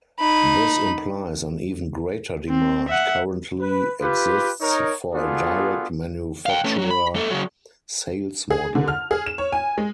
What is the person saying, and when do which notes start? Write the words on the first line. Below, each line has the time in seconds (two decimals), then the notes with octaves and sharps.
This implies an even greater demand currently exists for a direct manufacturer sales model.
0.19 D#4 B5
2.50 C4
2.89 E5 F#5
3.60 B4
4.00 F4 G4 B4
4.61 D#4 A#4 C#5
5.13 B3 D4 F4 F#4 G#4 A4
6.46 F5 G5
6.64 A3 C#4
6.78 F#3
6.90 B5
7.15 A#3 A4
7.30 C#3 F#3
8.50 G#4
8.75 D3
8.88 F6
9.11 G#4
9.26 E7
9.38 C#5
9.52 G#5
9.78 G#3